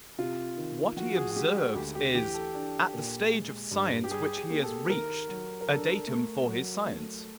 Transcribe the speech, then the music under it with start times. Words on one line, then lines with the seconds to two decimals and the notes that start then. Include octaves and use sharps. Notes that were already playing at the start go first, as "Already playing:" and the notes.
What he observes is, at the stage of science which he has reached, a datum for his science.
0.18 C3 F4
0.57 D#3
0.97 F3 F#4
1.16 G#4
1.31 F#4
1.36 G#3 G4
1.56 G4
1.75 D2 G4
1.95 G4
2.14 E3 G4
2.34 A4
2.54 D4
2.94 A#2
3.33 G#3
3.71 G2
4.04 G4
4.11 G3 G#4
4.37 G#4
4.50 A#3
4.63 A4
4.89 D#3 A#4
5.29 F#3
5.61 A#4
5.68 D4 A4
6.07 A3
6.47 F#3
6.86 A3